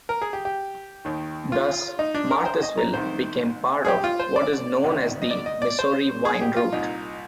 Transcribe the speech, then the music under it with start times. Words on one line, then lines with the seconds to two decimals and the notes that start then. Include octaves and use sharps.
Thus Marthasville became part of what is known as the Missouri "wine route".
0.09 A#4
0.22 G#4
0.33 G4
0.45 G4
1.05 D#2 D#3
1.52 F4
1.99 D#4
2.15 D4
2.31 A#4
2.46 C5
2.63 D#5
2.78 A#5
2.93 C2 C3 D#3 C5
3.85 G#4
3.88 G4
4.04 F4
4.20 C5
4.36 D5
4.84 D2 C3 D#3
5.22 D#5
5.30 D5
5.46 D#5
5.62 D5
5.79 C5
6.25 G#4
6.41 G4
6.57 F4
6.73 C2 A#2 D#4